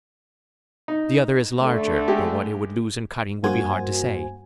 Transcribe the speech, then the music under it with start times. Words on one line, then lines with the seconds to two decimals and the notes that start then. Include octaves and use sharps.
The other is larger, though what it would lose in cutting would be hard to say.
0.88 D#4
1.59 D3 A3
2.08 G#3 G4
3.44 G2 A#3 F#4 C5 G#5